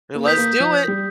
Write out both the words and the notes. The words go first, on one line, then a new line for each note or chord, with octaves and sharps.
Let's do it.
A#3
B3 D#6 G6 B6
A#3
F3
G3